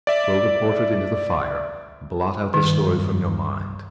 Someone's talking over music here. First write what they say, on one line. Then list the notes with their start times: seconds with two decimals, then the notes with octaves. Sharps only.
Throw the portrait into the fire, blot out the story from your mind.
0.07 D5 E5
2.54 G2 D#3